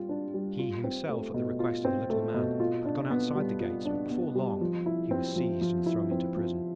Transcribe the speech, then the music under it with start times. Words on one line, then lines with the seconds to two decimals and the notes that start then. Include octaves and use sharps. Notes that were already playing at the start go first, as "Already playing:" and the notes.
He himself, at the request of the Little Man, had gone outside the gates; but before long he was seized and thrown into prison.
Already playing: G3 F4
0.09 D4
0.34 G3
0.59 F4
0.84 C4
1.09 A3
1.34 B2
1.60 F4
1.85 C4
2.10 A3
2.34 B2
2.60 F4
2.86 D4
3.10 B3
3.35 G3
3.60 F4
3.85 D4
4.11 B3
4.35 G3
4.61 F3
4.86 E4
5.11 C4
5.36 F3
5.61 F3
5.86 E4
6.11 C4
6.37 F3